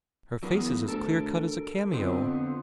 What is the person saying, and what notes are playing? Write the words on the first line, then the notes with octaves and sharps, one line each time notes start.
Her face is as clear-cut as a cameo.
E2 F#3 B3 A#4
D2 A4 A#4
F2 D3 B3 C4